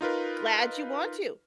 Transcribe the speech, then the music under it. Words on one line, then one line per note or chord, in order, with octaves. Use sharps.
Glad you want to,
D#4 F4 A#4 B4